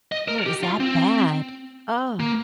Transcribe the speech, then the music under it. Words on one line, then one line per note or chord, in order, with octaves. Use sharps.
Oh, it was that bad? Oh.
D#5
A#4
G4
F4
C4
A#3